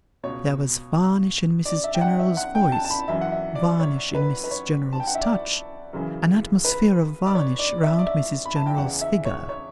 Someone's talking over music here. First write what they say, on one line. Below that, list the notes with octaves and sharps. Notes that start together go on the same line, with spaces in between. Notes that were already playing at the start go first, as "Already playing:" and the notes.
There was varnish in Mrs General's voice, varnish in Mrs General's touch, an atmosphere of varnish round Mrs General's figure.
C#2 B2 C#5
D5
E5
G5
F#5
E5
F#5
G5
A5
A5
B5
F#2 E3 E5
F#5
E5
D5
C#5
B4
B4
C#5
A5
G5
F#5
E5
D5
F#2 C#3 E3
B4
D5
C#5
D5
E5
D5
E5
B5
A5
G5
E2 C#3 E3 F#5
E5
C#5
C#5